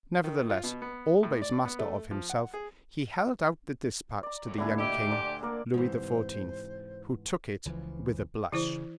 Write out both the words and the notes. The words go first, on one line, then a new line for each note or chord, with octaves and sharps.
Nevertheless, always master of himself, he held out the dispatch to the young king, Louis XIV., who took it with a blush.
D#3
F4
B2
B3
A2
D5
B3
A3
F3
F#5
G#4
D5 A#5
F#2 A2
D2 A#2 D4 E4 G#5
D4 G4 D#5 E5
D4 C5
A#3 A#4 D5 F#5
G#2 C3 E3 C5
C#2 E3 F3
C#3 E3 E4 C5